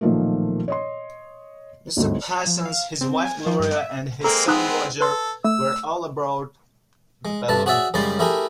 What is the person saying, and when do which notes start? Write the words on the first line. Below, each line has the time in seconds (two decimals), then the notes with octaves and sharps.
Mr. Parsons, his wife Gloria, and his son Roger were all aboard the balloon.
0.01 B1 A#2 D#3 F3 A3 A#3
0.68 C#5 D#5 C6
1.97 G1 D2 G#2
2.47 F3
2.65 F5
3.01 C4
3.25 G#5
3.46 F3
3.59 G2
3.76 E5
4.24 G#3 A#3 C4 A4 A#5
4.48 G#3 B3 C4 D#4 D#6 F#6
5.01 A4 B4 C6
5.44 A3 E6
7.25 G#3
7.49 G2 A3 D4 A5
7.66 F#4 G#4 C#5 D5 E5
7.94 F#2 C#3 G3 G#3 D5 C6
8.19 A3 E4 G4 G#4 A#4 G#5